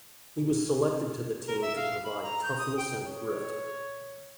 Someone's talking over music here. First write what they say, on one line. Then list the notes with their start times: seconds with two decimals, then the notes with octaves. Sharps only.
He was selected to the team to provide toughness and grit.
1.47 A#4
1.62 E5
1.76 F5
2.04 B5
2.23 A#5
2.43 G6
2.58 D#6
2.77 G5
3.06 C#5